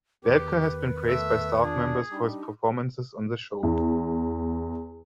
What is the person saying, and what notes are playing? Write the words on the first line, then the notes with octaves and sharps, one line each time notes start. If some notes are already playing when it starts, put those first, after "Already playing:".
Welker has been praised by staff members for his performances on the show.
E2 D#3 G4 B4
B4
A3 E5
D4 F4 G#4
G3 D4 D#4 G4
E2